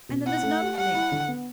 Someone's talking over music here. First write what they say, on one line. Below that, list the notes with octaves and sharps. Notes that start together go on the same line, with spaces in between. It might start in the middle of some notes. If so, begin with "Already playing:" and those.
And then there's another thing.
B2
E4 F#5
A3
G4
G3 F#5
E4
D3
B3